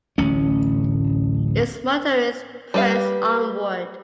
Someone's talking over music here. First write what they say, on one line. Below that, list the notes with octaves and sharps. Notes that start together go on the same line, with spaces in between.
Its motto is Press Onward.
D1 A1 C#4
G3 B4 F5